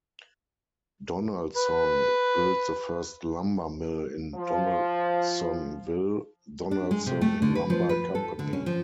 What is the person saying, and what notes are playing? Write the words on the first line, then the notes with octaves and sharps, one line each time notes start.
Donalson built the first lumber mill in Donalsonville, Donalson Lumber Company.
B4
F3
D4
G#3
C3
A3
D3
B4
F3
B4
A4
D3
C#4
F3